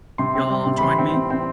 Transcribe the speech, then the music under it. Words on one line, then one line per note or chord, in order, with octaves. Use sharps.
You'll join me?
C3 C6
C4
G3
C3
B5
E3 C6
C4
C4
C4